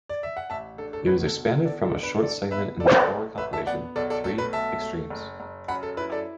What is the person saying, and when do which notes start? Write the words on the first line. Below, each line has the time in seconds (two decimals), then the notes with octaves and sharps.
It was expanded from a short segment in the horror compilation, "Three... Extremes".
0.09 D5
0.23 E5
0.37 F#5
0.50 A1 E5 A5
0.78 D4 A4
0.93 A4
1.07 B1 B4
1.27 A4
1.37 B1
1.65 B1 A4 D5
1.85 A4
1.94 D4
2.03 B4
2.22 E1 A4 D5
2.51 B3 B4 E5
2.80 A1 A4 D5
2.99 A4 D5
3.09 A3
3.38 A1 B4 E5
3.53 E5 A5
3.67 B3 D5 F#5
3.96 B1 A4 D5
4.10 A4 D5
4.24 A3 A4
4.38 B4
4.53 B1 E5 A5
4.82 A3
5.10 F#1
5.40 F#1
5.68 F#2 F#5 B5
5.83 A4
5.97 E4 B4
6.12 A4 D5